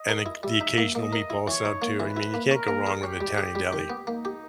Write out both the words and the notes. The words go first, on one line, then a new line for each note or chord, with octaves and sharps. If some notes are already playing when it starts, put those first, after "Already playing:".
and the the occasional meatball sub too. I mean, you can't go wrong with Italian deli.
Already playing: D#5
A#4
E4
G3 E5
D#4
A#3
A#3 D#5
A#4
E4
E3 C#5
D#4
A#3
E3 B4
E4
A#3
C#4 A#4
A#3
G#4
C#4 G4
G3
G#4
G3
D#3
B3
A#3 D#4
G4